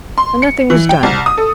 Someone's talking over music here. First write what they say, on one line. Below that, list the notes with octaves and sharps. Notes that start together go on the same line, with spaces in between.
So nothing was done.
C6
C#7
E3
G5
C2
D#6
A4